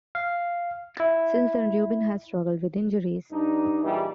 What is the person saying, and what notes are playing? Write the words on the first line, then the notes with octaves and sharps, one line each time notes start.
Since then Rubin has struggled with injuries.
F5
E4
G2 D4 D#4
A#2 E3 G3 D#4 G#4